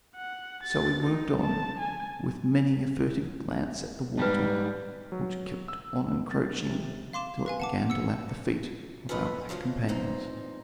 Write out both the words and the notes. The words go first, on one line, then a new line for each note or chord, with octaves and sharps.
So we worked on, with many a furtive glance at the water, which kept on encroaching till it began to lap the feet of our black companions.
F#5
A6
D#4
A5
G#5
G#2 G3 B4 G5 A5
F#3
E6
A6
C3
F5 C6 D6 E7
B4 F5 G#5
F#5 A5 D6
E6 C#7
C#4 F4 A4 B4 D#5
F#2 C#3 F3 G#3 F4
E2 A#2 C4 D#4